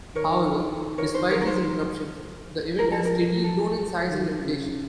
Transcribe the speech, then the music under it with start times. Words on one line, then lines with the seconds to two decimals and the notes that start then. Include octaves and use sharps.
However, despite these interruptions, the event has steadily grown in size and reputation.
0.15 D#3 A#4 C#5
0.98 A#4 C#5
1.14 C5
1.30 A#4 C#5
1.41 A#4
1.47 C5
2.79 F3 A#4
2.92 A4
3.05 A#4
3.44 A4
4.10 D#3
4.43 C#3